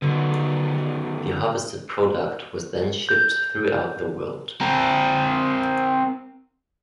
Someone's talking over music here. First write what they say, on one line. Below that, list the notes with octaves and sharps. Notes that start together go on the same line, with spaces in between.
The harvested product was then shipped throughout the world.
D3 D#3 F#3 B3
G6
C4 A#4